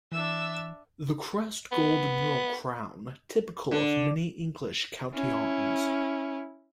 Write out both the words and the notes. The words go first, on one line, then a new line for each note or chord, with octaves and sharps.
The crest gold mural crown, typical of many English county arms.
E3 D4 E5 E6
B3
D3
C#4 E4